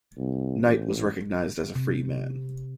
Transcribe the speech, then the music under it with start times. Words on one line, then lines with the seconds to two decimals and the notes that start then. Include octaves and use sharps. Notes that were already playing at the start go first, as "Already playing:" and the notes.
Knight was recognised as a free man.
0.17 C2
0.64 A1
1.75 C3